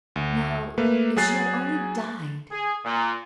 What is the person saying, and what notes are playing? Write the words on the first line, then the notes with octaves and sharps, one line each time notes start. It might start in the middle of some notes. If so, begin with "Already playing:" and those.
Now--if she had only died!
D2
A3 A#3 B4
F#3 G#4 G#5 F#6 A6 C7
G#4
A#2